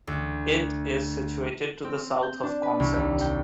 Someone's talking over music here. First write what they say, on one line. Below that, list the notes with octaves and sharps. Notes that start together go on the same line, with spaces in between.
It is situated to the south of Consett.
D2
C4
G6
D4
B4
C2
D#2
G5